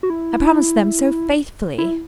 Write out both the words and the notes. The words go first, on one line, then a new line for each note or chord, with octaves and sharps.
I promised them so faithfully!
F#4
E4
E4